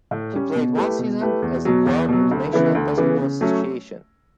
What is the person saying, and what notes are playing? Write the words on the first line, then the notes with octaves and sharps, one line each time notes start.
He played one season as a guard in the National Basketball Association.
A2
G3 C#4
B2
A3 E4 G4 B4
B2
A3 E4 G4 B4
E2
B2 F#3
E2
B2 F#3
D2
C#3 E3 B3 E4
D2
C#3 E3 B3 E4
C#3
F#3 A3 C#4